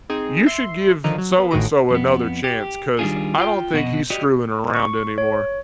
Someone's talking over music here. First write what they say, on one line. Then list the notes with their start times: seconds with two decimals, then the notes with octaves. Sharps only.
you should give so-and-so another chance, 'cause I don't think he's screwing around anymore.
0.10 C4 D#4 G#4
0.46 E5 C6
1.04 D3 D#3 F3 D#4
1.18 F#3
1.38 B3
1.51 A1 A2 D#3 F#4 D#5 D7
1.91 F2 B3
2.44 G4
2.99 D#3 G3 D4 F4 G#4
3.38 F4 F#5 G5
3.72 F2 B2 F#4 D#5
4.10 F#4 G4 D5 D#5
4.75 C#6
5.18 C#5